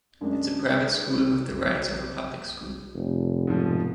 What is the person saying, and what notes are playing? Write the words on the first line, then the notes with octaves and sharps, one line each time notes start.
It’s a private school with the rights of a public school.
F#2 G#3 C#4 D4
F1
G#2 B2 F3